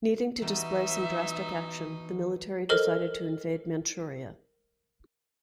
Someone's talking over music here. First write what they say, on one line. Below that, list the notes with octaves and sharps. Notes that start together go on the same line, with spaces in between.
Needing to display some drastic action, the military decided to invade Manchuria.
B2 E3 D#4 E5
A4 A#4 C5 D#5 F6